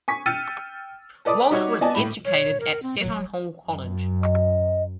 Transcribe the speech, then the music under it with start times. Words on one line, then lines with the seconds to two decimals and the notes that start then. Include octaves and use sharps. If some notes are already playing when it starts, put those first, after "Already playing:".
Walsh was educated at Seton Hall College.
0.08 G#5 C#6 B6
0.26 G5 E6 F6 A6 C#7 D#7
1.25 A4 B4 D5 D6 D#6
1.51 G3 D#4 F#4 C#5
1.81 B3 D5 D#5 G#5 A5
1.94 A2 B5
2.25 C#5
2.60 A#4
2.83 C4
2.99 F#3
3.67 F#2
4.23 D#5